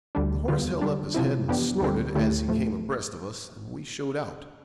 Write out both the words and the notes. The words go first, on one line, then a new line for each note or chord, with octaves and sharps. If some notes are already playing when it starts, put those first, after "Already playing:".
The horse held up his head and snorted as he came abreast of us, and we showed out.
D2 D3 G3 D4
E2 D3 G3 B3 F4
D3 G3 D4
C3 F3 C4 E4
F2 E3 B3 D4 G4
D2 D3 G3 C4 G4
D2 D3 A3 E4 G4
A2 F3 A3